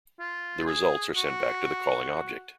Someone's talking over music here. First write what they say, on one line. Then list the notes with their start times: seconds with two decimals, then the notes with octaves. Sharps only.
The results are sent back to the calling object.
0.20 F4
0.66 G#4
1.16 F#4